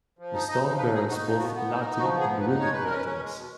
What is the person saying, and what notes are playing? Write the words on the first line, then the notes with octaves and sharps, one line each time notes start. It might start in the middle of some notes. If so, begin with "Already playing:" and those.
The stone bears both Latin and Runic letters.
F3
D#4
D#4 D#5
F3
D#4 B4
D#4 G#4
D#4 F#4
F3
B3 F#4
B3
D#4
A#4
D#4
F3 F#4
B3 G#4
F3
B4
D#4
G#3 C#5
B2 B4
A#4
C#4
B4
C#4
G#3
B2